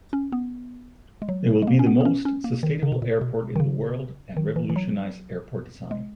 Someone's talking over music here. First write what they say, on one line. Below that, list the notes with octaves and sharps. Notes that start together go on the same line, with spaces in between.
It will be the most sustainable airport in the world and revolutionize airport design.
C#4
B3
G#3
F#3
G#3
A#3
C#4
B3
B3
C#4
C#4
A#3
D#3
C#3
B2
A#2
B2
D#3
C#3
D#3
E3
E3
F#3
G#3